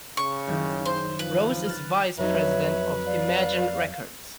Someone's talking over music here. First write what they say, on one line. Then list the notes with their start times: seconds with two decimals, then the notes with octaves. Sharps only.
Rose is vice president of Imagen Records.
0.17 C#3 C#6
0.47 F#1 D#3 G4
0.85 C5
1.19 F3 B4
1.66 F6 F#6 A6
2.18 F2 F#3 D#4 B4 C#5 E5
3.06 D5 F5